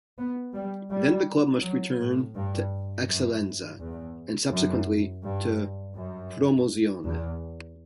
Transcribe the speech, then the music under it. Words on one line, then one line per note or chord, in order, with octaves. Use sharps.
Then the club must return to Eccellenza and subsequently to Promozione.
B3
G3
G3
F#3
A2
G2
F#2
E2
F#2
G2
F#2
E2